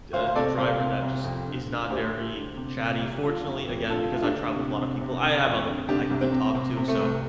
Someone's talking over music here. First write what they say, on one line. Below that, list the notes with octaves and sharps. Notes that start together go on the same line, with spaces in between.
a a driver that just is not very chatty, fortunately again because I've traveled with a lot of people, I have other people I could talk to so uh
D2 C5 F5
C5
C3 A4 D5
C2 C5 F5
C3
C2
F2
D3
D3
D2 G4 C5
D2
D3
C3
C3
C2
D3 F4 A4
F2
F2
D3 F4 A4
D2 F4
D4 G4
D3
C3
C3
C3
D3
F2
D3
C3 D4 G4
C2
C4
C3
C3 C4
C3
A3
C2